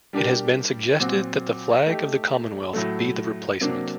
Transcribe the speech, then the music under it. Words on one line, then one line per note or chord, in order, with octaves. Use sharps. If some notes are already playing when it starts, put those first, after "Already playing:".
It has been suggested that the Flag of the Commonwealth be the replacement.
G3 D4 G4 A#4
A#2 F#3 C4 F#4
A3 D#4 G4
A2 F#3 A3
C3 F#3 A#3 D4